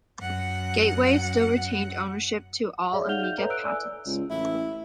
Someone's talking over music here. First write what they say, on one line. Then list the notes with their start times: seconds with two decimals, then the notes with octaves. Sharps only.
Gateway still retained ownership to all Amiga patents.
0.20 F#2 F#5
2.93 G#4 C#5 D5 E5 F5
3.08 D#4 F#5 F6 G6 F7 G7
3.23 G6
3.38 A4 B4 C#5 E5 A#5
3.50 E6 F#6 D7
3.63 D5 G#5 E6
4.06 C#2
4.30 A1 E4